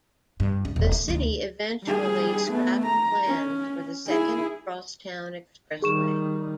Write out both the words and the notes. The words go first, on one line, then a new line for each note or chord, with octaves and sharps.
The city eventually scrapped plans for the second cross-town expressway.
G2
C#2
D#1
A3
D2 D#3
G3 G#4
A3 B3
A#5
C#4
E4 G#4
D#3 G3 G#4 C#6 E7